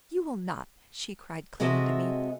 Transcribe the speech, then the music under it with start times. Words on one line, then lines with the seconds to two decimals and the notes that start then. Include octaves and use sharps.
"You will not!" she cried, clinging to me.
1.60 C3 G#3 F#4 A4 D#5 E5